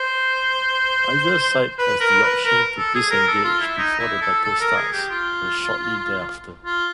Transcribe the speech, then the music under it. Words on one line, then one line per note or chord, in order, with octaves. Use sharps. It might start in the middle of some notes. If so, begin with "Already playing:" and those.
Either side has the option to disengage before the battle starts or shortly thereafter.
Already playing: C5
B4
A#4
B4
A#4
A4
G#4
A#4
A4
F4
E4
D#4
E4
A4
A4
A#4
G#4
G4
F4
F4